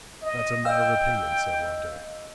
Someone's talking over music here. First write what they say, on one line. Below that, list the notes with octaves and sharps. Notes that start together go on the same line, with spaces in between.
'That's a matter of opinion,' said Loveday.
D#5
D#5 F5 G5 E6